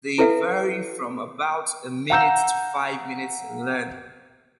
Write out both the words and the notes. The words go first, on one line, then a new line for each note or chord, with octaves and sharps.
They vary from about a minute to five minutes in length.
E4 A4 B4 E5 F5
F5 F#5 A#5 E6 G6 E7